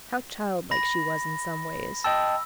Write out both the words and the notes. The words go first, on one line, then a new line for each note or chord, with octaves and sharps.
How childlike she was in some ways!
B5 A#6
D#5 G5 A5 E6